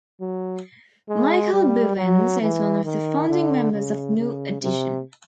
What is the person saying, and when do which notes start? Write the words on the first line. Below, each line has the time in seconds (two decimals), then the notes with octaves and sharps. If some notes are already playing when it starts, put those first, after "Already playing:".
Michael Bivins is one of the founding members of New Edition.
0.21 F#3
1.09 G#3
1.53 G3
1.97 F#3
2.41 E3
2.85 D#3
3.29 D3
3.73 C#3
4.18 C#3
4.62 C3